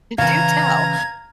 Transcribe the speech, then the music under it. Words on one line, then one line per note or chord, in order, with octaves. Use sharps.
Do tell.
C#3 E3 F5 A#5 G#6